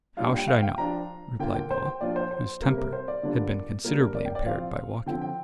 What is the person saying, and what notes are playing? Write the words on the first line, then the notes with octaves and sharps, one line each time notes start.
'How should I know?' replied Noah, whose temper had been considerably impaired by walking.
A#2 G3 D4 F4 F5
G5
G5
F5
G5
F3 D4 F4 A#5
D3 A#3 F4 G5
G5
C5
G5
A#2 F3 D4 F4 D5
C5
C5
C3 G3 A#3 A#4
A#4
C5
D5
D3 G3 A#3 D4 F4
A#2 G3 A#3 D4 A#4
A#4
D5
G5
D5
F3 C4 F4 F5
D3 F3 C4 F4 G5
G5